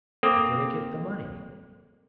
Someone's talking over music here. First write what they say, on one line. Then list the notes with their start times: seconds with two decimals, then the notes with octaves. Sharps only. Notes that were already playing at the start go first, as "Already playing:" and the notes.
"Where do they get the money?"
0.23 A#3 C4 A4 D6